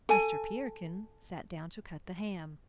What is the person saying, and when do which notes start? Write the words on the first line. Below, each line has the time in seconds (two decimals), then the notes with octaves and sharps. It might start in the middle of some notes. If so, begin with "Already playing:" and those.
Mr. Peterkin sat down to cut the ham.
0.09 A4 G#5